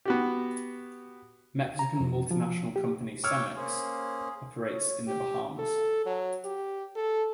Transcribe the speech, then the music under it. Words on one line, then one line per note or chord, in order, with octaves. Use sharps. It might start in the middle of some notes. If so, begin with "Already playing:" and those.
Mexican multinational company Cemex operates in the Bahamas.
B3 F#4 G4
A#5
F2
F3
G4
C#5 G5 C#6 D6 E6 F6
A#3 C#4 G#4 C5
C#5
G4
A4
F#3
G4
A4